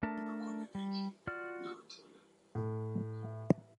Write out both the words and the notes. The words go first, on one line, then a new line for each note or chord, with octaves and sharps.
Did you lose the argument to a man or a woman?
A3 D4 A#4 E5 A5
G3
F4 F#4 D5 F6
A2